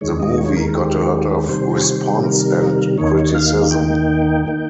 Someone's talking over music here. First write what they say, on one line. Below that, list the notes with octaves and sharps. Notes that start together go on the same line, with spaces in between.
The movie got a lot of response and criticism.
D#2 D#3 G#3 C#5
D#5
C#5
A#4
G4
C3 D#3 G3 C5
C#5
C5
A#4
D#2 D#3 A#3 D#4 C#5
F5
G5
D#3 A#3 D#4